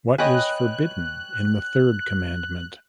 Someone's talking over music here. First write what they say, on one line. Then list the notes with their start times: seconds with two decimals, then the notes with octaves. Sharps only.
What is forbidden in the third commandment?
0.18 B4 C#5 D#5 G5 G#5 F#6